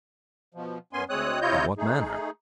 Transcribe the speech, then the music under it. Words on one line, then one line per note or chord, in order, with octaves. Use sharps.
"In what manner?"
B2 F3
F#2 B3 C#4 G#5 C6
D2 G#3 C4 C#5 D#6 F#6
C3 E4 F4 C#5 D#5 G6
A3 D#4 G#4